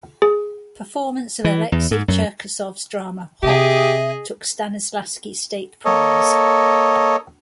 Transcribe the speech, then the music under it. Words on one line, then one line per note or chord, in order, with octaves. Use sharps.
Performance of Alexei Cherkasov's drama "Hop" took Stanislavsky State Prize.
G#4
E3
E2
G#2
F#2
C3 G4 G#4 D#5 E5
A#3 A4 C#5 D#5